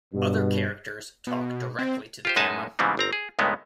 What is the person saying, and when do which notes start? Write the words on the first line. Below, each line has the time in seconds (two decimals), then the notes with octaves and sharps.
Other characters talk directly to the camera.
0.14 G2 B2
1.27 B2
1.79 C4
2.25 F4 G4 C5
2.36 F#2 G#3 D#4 B4 G#5 A5
2.79 G#2 C#3 E3 G3 B3 C4
2.97 G1 C4 A#5
3.13 G#4
3.39 C#2 G2 D#3 G#3 A3 B3